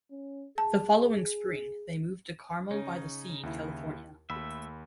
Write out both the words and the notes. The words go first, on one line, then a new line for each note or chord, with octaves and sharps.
The following spring they moved to Carmel-by-the-Sea, California.
C#4
G#4 A5
C#3 C#4 D#4 C#5
D#2 E4
D#2 A3 E5 B5